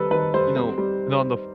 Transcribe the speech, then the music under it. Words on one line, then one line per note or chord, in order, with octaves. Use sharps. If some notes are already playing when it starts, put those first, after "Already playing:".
You know, and on the f
Already playing: D#3 G3 C4 A4 B4
D#3 B4
G3 C5
C4
G3